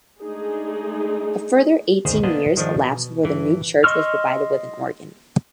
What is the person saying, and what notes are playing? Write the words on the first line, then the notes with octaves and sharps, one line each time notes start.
A further eighteen years elapsed before the new church was provided with an organ.
G#3 A3 D4 D#4 G#4
G#1 D2 D#3 G#4 C5
A#3 B3 D4 C5 D#5
G2 D#3 F3 G#3 D4
B2
G2 E3
D#5 C6 C#6 E6 F6